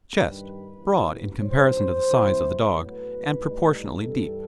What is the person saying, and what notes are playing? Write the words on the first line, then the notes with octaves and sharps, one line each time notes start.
CHEST--Broad in comparison to the size of the dog, and proportionately deep.
G2 D#3 G3 B4
E2 C3 F#3 B3 E4
G2 D#3 F#3 C4 C5
C3 E3 G3 C4 E4
A2 F#3 B3 B4
A2 G3 D#4
G2 E3 G3 A4